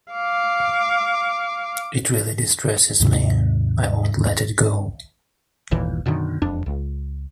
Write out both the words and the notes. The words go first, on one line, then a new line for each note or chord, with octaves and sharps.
It really distresses me; I won't let it go.
F5 D6
D#2 G#2 C3
G1 D#2 A#2 E3
F#2 B2 D3 D#3
E1 F2 D4
C#2